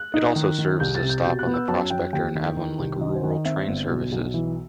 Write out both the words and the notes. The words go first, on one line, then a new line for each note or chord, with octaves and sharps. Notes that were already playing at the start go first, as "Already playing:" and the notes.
It also serves as a stop on the Prospector and Avonlink rural train services.
Already playing: F#6
D#4
D#3
D#3
C2 G6
A6
C3
G6
B2 G6
F#6
B3
E6
F#2 A5
F#2 G5
D#2 G5
D#3
D#3
C2
D#3 D#5
C5
D#3
D#5
C4 E5
G1
B1
B1
E3